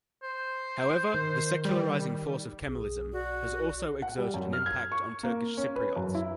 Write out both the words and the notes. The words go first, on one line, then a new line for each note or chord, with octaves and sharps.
However, the secularizing force of Kemalism has also exerted an impact on Turkish Cypriots.
C5
D#3
G3
B1 G#4
F#4 D5
F#5
G3
F#2
F6
G#6
C#6
A#3
C#4
B4
F#2
E4